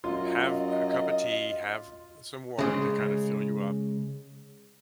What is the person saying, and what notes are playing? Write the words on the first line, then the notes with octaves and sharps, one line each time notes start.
have a cup of tea, have some water to kinda fill you up,
F#2 F4 D#5
C#3 G#3